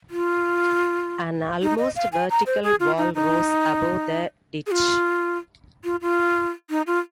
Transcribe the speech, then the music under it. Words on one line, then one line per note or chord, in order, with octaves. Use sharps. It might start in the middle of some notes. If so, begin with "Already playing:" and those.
An almost vertical wall rose above the ditch.
F4
D#4
D#5
F5
G#5
A#5
C5
G#4
F4
D#4
D#4
G#4
F4
F4
F4
D#4
F4